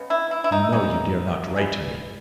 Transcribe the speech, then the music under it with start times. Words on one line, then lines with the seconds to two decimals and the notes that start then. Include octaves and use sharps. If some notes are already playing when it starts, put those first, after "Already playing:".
You know you dare not write to me.
Already playing: C#3 G#3 B3
0.10 E4
0.31 E4
0.44 E4
0.52 D#4
0.72 E3 G#3 B3 D#4
1.56 E3 G#3 B3